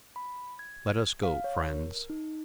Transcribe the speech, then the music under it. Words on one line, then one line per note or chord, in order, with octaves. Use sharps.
"Let us go, friends."
B5
G#6
F5
C#5
A#4
D#4